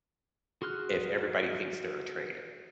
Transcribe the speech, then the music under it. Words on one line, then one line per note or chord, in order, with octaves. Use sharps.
if everybody thinks they're a traitor.
F#4 G#4 C6 F6 F#6